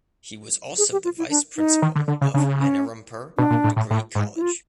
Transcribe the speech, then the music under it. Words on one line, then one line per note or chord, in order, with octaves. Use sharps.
He was also the vice principal of Manirampur Degree College.
G#4
G4
F4
E4
D4
D#4
D#3
D3
D3
C#3
C#3 D4
C#4
B2 D4
A#2
A2
A2
A2
G#2
E4
F4